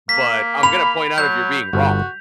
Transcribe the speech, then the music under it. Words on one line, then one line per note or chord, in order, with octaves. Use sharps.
but I'm gonna point out if you're being wrong,"
A#3 B6
B5 F7
F#3 G6
G1 F#4